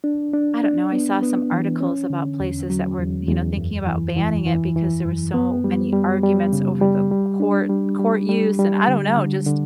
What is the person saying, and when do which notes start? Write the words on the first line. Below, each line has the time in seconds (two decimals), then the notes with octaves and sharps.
I don't know, I saw some articles about places that were, you know, thinking about banning it because there were so many arguments over the court court use, and I don't know, just
0.04 D4
0.33 D4
0.64 D4
0.92 B3
1.22 B3
1.52 E3
1.81 C#4
2.10 D3
2.40 E2
2.70 F#3
2.99 E2
3.28 E2
3.57 F#2
3.87 E3
4.17 E3
4.46 E3
4.76 E3
5.05 F#2
5.34 B3
5.64 G3
5.93 G3
6.23 G3
6.53 C#3
6.82 G3
7.11 G3
7.40 D4
7.69 G3
7.99 G3
8.29 G3
8.59 G3
8.88 D3
9.17 D3
9.47 D3